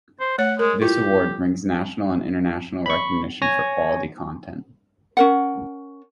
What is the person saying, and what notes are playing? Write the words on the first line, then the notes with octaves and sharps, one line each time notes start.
This award brings national and international recognition for quality content.
C5
A3 C#5 F#5
G#3 A#4
E4 F4 G4
B5 C#6
C#5 G#5 A#6
C#4 A#4 F#5